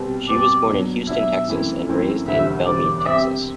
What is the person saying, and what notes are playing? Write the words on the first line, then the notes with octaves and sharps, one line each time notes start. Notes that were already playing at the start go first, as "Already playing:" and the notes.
She was born in Houston, Texas, and raised in Bellmead, Texas.
Already playing: B2 G3 C4 G4 B4
B2 G3 C4 G4 B4 D5
B2 F#3 B3 D4
B2 F#3 B3 D4 E5
F#2 E3 A3 C4 E4
F#2 E3 A3 C4 E4
E1 D2 D3 G3 E5
E1 D2 D3 G3 D5
D5
C3 G3 C4 G4 E5